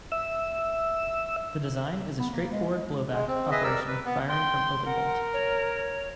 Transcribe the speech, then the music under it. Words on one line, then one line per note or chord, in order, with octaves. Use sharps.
The design is a straightforward blowback operation firing from open bolt.
E5 E6
B3
A#3
G#3
G#3
G#3
C4
G#4 B4 D#5 E5
G3 A#4 D5 E6
B4
B3
G5 C6
A#4 F#5
C#5